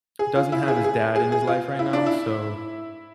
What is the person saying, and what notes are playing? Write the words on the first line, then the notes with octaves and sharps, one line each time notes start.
doesn't have his dad in his life right now, so,
G#4
F4
E4
G#4
G#4
G#4
G#4
F4
E4
D4
E4